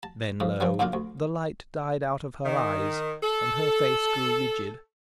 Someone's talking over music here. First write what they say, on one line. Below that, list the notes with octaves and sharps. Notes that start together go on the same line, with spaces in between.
Then lo! the light died out of her eyes, and her face grew rigid.
A5
F2 C#3
C#3 F3 G3
F#2 A#2 C#3 D4 F4
D2
D#3
A4